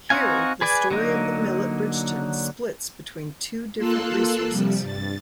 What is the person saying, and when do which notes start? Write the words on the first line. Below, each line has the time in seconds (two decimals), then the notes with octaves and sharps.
Here the story of the mill at Bridgeton splits between two different resources.
0.10 C4 D#4 F#4 F5 G#5
0.61 G#4 B4 D5 G#5
0.91 D3 F#3 A#3 D#4
3.77 A#3 F4 A4 C6 E6 F#6
4.50 C3 F3 G3
4.82 G2 A6